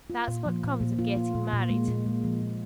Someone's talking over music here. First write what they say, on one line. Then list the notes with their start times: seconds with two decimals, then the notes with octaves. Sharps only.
That's what comes of getting married.
0.10 F4
0.28 A#2
0.46 F3
0.64 A#2
0.81 A#2
0.99 F4
1.17 F4
1.35 A#2
1.53 A#2
1.70 G#3
1.88 A#2
2.06 G#3
2.24 F3
2.41 A#2